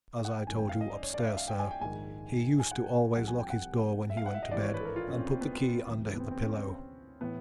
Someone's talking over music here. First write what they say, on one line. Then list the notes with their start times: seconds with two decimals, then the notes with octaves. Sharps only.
As I told you upstairs, sir, he used to always lock his door when he went to bed and put the key under the pillow.
0.25 F#5
0.36 G5
0.46 G#1 F#2 D#3 G#5
0.58 G5
0.69 F5
0.81 D#5
0.91 D5
1.03 C#5
1.14 D5
1.19 F5
1.25 E5
1.37 F5
1.48 G5
1.59 G#5
1.71 G5
1.81 A#1 G#2 D#3 G#5
2.60 G#5
2.71 F#5
2.83 G5
3.16 C2 C3 F3 F#5
3.28 G#5
3.39 G5
3.50 F#5
4.10 E5
4.17 F5
4.26 F#5
4.34 E5
4.43 D#5
4.51 G#1 G2 E3 G3 D5
4.63 C#5
4.74 B4
4.80 A4
4.85 A#4
4.96 F4
5.08 C#4
5.18 C4
5.30 C4
5.41 B3
5.53 C4
5.87 D2 C3 E3 G3
6.15 B3
6.19 C4
6.31 C4
6.42 C#4
6.54 C4
7.21 A2 E3 B3